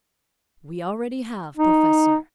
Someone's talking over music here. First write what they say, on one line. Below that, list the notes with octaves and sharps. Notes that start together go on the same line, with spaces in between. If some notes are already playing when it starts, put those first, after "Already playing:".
"We already have, professor."
D#4